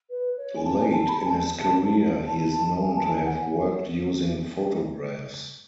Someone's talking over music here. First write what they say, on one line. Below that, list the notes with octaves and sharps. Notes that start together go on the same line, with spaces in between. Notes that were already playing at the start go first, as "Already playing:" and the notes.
Late in his career, he is known to have worked using photographs.
B4
C#5
G#5
A5
G#5
A5
B5
A5
G#5
A5
A5
G#5
A5
G#5
F#5
G#5